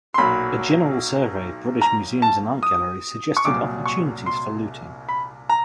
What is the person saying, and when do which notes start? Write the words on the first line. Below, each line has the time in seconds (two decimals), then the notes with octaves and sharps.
A general survey of British museums and art galleries suggested opportunities for looting.
0.14 C6
0.18 B1 A#2 F#3 A#3 B5
1.81 A#5
2.22 A5
2.63 D#6
3.37 C#6
3.45 C2 A#2 F#3 D6
3.86 C#6
4.26 C6
5.09 B5
5.49 A#5